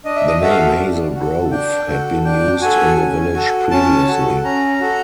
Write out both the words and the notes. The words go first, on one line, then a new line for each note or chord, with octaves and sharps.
The name Hazel Grove had been used in the village previously.
D4 D#5
E5
D#5
F#4 A4 E5
F5
E5
D4
F#4 A4
D4 G5
F#4 A4
D4 G5
F#4 A4 G#5
C#4
F#4 A4
C#4 A5
F#4 A4
C#4 A#5
F#4 A4